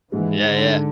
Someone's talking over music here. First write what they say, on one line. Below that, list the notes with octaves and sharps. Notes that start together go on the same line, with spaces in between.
Yeah, yeah.
G#1 G#2 E3 G#3
D3